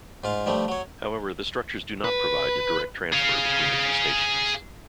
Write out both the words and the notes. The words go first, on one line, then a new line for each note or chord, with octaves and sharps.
However, the structures do not provide a direct transfer between the two stations.
G#2 F4 F5
G2 F3 G3 A3
F#3 C#5
B4
G#4 F5